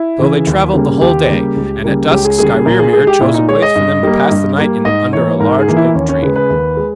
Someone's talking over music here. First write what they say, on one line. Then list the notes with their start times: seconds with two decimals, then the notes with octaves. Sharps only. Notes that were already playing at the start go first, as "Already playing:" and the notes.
So they travelled the whole day, and at dusk Skrymir chose a place for them to pass the night in under a large oak tree.
Already playing: E4
0.19 C#3 E3
0.47 D#2
0.74 C#3 G3 A#3
1.01 D#2 G4
1.28 C#3 G3 A#3
1.56 C#2
1.84 C#3 G3 A#3
2.11 C#2 G4
2.25 G#4
2.38 C#3 G3 A#3 G#4
2.53 G#4
2.66 A#2 A#4
2.79 G#4
2.93 G#3 G#4
3.07 G4
3.21 A#2 E4
3.34 D#4
3.48 G#3 C#5
3.62 D#5
3.76 G2
4.03 G3 A#3
4.31 G2
4.58 G3 A#3
4.85 G#2 D#5
5.13 E3 A#3 C#5
5.40 G#2 A#4
5.59 G#4
5.68 E3 A#3
5.77 E4
5.95 D#2 C#4
6.09 C#4
6.22 C#3 G#3 B4
6.36 B4
6.50 D#2
6.77 G#3